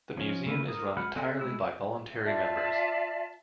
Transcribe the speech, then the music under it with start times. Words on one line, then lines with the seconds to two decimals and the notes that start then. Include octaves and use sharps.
The museum is run entirely by voluntary members.
0.17 F3 C#4
0.46 C#3 A3 A#3 B4
0.67 A#4 A#5 D#6
0.97 G#3 F#5 B5 F6 F#6
1.16 C4 A4 D5 D#5
1.39 G#3 A3 E4 E6 F#6
2.25 F4 D5 E5 A5